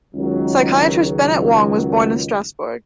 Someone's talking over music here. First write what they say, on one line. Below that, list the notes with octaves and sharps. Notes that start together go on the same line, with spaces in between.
Psychiatrist Bennet Wong was born in Strasbourg.
C#2 D#3 F#3